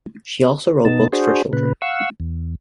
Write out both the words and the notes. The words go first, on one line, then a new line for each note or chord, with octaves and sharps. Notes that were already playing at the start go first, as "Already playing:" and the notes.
She also wrote books for children.
B2 B3 D#4 A5
D4 F#4 G#4 C5
A#2 C#3 B4
F5 F#5 C#6 E6
E2